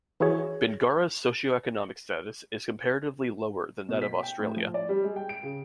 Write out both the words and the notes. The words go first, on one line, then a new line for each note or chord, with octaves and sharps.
Bingara's socioeconomic status is comparatively lower than that of Australia.
E3 E4 F#4 G#4 C#5
B2
B6
G5
A2
F3
D5
G3
G#3
G5
D7
C#3